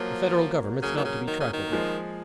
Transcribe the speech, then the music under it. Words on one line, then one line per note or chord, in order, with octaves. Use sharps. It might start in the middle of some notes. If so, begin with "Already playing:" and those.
The Federal Government's not to be trifled with.
Already playing: F3 F#3 A#3
C#3 F#3 A#3
D#3
C#3
D#3
C#3
D#3
A#3
F3 G#3